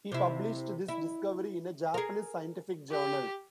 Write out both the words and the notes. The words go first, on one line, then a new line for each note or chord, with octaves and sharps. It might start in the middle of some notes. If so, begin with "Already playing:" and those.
He published this discovery in a Japanese scientific journal.
C3 E4
E4
G#4 A#4
G4